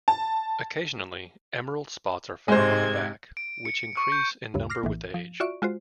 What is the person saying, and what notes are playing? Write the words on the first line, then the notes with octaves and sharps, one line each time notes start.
Occasionally, emerald spots are found on the back, which increase in number with age.
A5
G#2 C3 G#3 C5 G#6
D7
C#7
C#6
G6
D2 G2 C#3
D6 F6 A#6 C7
A#1 A2 E3
F3
F4 F#4 D5 E5 C#6 D7
G#3 F4 F#4 C5